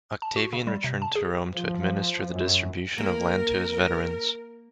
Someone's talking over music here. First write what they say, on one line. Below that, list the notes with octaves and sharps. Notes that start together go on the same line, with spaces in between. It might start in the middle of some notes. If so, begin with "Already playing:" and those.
Octavian returned to Rome to administer the distribution of land to his veterans.
A5
F#4
C#3
G3
C3
A5
G#4
F3
F#2
A#3 A#4